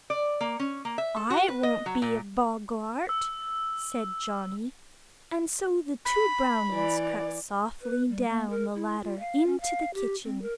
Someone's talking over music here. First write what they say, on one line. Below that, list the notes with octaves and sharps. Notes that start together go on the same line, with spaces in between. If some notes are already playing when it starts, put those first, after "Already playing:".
"I won't be a boggart," said Johnny, and so the two brownies crept softly down the ladder into the kitchen.
D5
A#3
C#4
A#3
E5
A4
F#4
B4
D#5
F#3
A#2
E6
B5
E3 D5
B4
G3
A#3
A#4
E4
F4
F5
C#4
F5
G4
C4
A#4